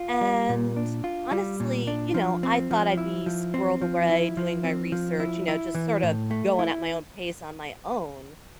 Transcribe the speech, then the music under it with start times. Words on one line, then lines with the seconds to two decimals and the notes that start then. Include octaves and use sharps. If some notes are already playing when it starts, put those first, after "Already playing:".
and, honestly, you know, I thought I'd be squirreled away doing my research, you know, just sort of going at my own pace on my own,
Already playing: F4
0.21 G3
0.49 A#2
0.77 D4
1.04 F4
1.31 G3
1.60 A#2
1.87 D4
2.14 F3
2.43 C4
2.71 F3
2.97 E4
3.26 F3
3.54 C4
3.82 F3
4.09 E4
4.37 F3
4.64 C4
4.92 F3
5.20 E4
5.48 E4
5.75 E3
6.03 A2
6.31 A3
6.59 E4